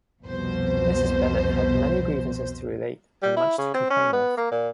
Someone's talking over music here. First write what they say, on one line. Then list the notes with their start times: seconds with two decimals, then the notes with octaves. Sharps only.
Mrs. Bennet had many grievances to relate, and much to complain of.
0.23 C2 F2 B2 C5
3.22 G3
3.37 E4
3.58 C#3
3.74 C4
3.90 C#4
4.13 B3
4.37 A#3
4.51 A#2